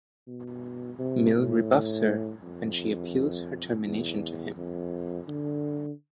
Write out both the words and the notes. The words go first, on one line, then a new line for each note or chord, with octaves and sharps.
Mill rebuffs her when she appeals her termination to him.
B2
C3
A2
F2
E2
F2
D3